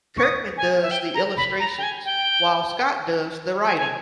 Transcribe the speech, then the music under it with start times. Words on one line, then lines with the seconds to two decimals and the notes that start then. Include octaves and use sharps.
Kirkman does the illustrations, while Scott does the writing.
0.18 C#6
0.23 D#6
0.57 G#5
0.82 E5
0.91 G5
1.15 A#5
1.37 B5
1.60 A#5
1.78 G5
1.83 G#5
2.05 G5
3.66 G#5
3.77 G#5